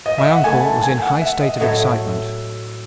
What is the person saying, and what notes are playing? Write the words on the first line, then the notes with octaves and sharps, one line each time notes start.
My uncle was in high state of excitement.
D#5
E5
F#5
D#3 A3 E4 G#5
A5
G#5
F#5
E5
D#5
A2 F#3 A3 D#4 E5